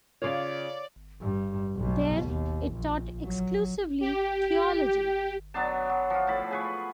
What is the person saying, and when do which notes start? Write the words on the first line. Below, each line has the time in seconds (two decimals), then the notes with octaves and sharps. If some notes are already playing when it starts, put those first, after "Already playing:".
There, it taught exclusively theology.
0.22 C#3 F4 C#5 D5 F5
1.21 G2
1.76 B1 B2
2.22 D#2
2.73 A#1
3.22 F#3
4.01 G4
5.54 F#3 B3 D4 A5
5.90 F#3
6.10 F3 F4
6.27 A2 A5 B5
6.51 G#4 B4 C#6